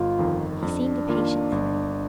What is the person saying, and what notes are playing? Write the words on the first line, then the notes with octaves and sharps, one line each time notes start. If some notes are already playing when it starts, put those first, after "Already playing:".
He seemed impatient to-night.
Already playing: G1 F4
F2 D#3
F2 D4
D#3 A#3 F4
G1